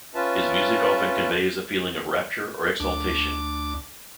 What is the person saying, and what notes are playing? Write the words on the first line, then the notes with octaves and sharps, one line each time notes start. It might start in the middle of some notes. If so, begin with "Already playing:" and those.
His music often conveys a feeling of rapture or exaltation.
C#4 F4 B4 E5 A5
D2 D4 D6